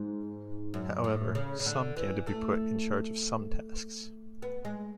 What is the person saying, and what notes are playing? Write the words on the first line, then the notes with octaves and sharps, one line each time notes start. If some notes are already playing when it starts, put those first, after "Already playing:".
However, some came to be put in charge of some tasks.
Already playing: G#2
F#2
A2
C#3
C#3
D3
E3
A3
B3
G#3